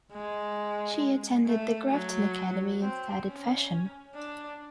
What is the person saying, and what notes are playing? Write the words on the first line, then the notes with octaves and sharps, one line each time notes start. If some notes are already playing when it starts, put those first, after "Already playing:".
She attended the Grafton Academy and studied fashion.
G#3
A3
F#3
C4
C#4
D4